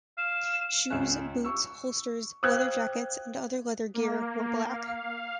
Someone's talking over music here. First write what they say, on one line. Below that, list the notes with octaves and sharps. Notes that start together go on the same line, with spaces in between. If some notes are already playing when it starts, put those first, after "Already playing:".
Shoes, boots, holsters, leather jackets and other leather gear were black.
F5 E7
C#2 C#4 F#6
C#6 E6
C5 F5 G5 D#6 F#6 G#6
A#3
F5